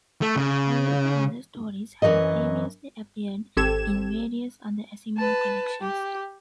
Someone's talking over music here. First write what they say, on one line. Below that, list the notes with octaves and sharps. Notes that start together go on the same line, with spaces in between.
All of the other stories had previously appeared in various other Asimov collections.
A3
C#3
F#2 D#3 E3 C#5 D#5
G#1 C4 G4 A4 G#6 E7
B4 A5
G4